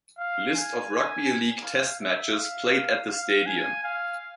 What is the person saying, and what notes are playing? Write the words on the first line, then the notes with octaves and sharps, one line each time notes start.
List of rugby league test matches played at the stadium.
F5
G#5
F5
E5
F5
F5
G#5
F5